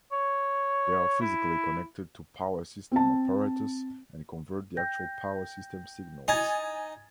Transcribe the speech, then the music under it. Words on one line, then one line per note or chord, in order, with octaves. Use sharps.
They are physically connected to power-system apparatus and convert the actual power-system signals.
C#5
E4
C4 A5
G5 G6 A#6
D#4 G#5 G#6 A6